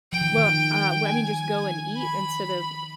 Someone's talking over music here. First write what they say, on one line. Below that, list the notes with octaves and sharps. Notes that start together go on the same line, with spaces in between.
Well, uh Well, I mean, just go and eat instead of
F3 G5
D#3
D#3
G#5
B5